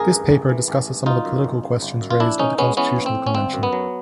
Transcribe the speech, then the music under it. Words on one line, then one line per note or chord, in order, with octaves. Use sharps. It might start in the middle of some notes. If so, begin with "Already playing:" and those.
This paper discusses some of the political questions raised at the constitutional convention.
Already playing: A1 G#4 A#4
G2
A1
E3
A1
G2
G1 D#4 F4
F#2
G1
C#3
G1
F#2
F4
A#1 D4 E4
A2 C#4 D#4
G#3 B3 C#4
E3 B3 C#4
A#1
C4
A2
C#4
G1 C4
F#2
B3
F#3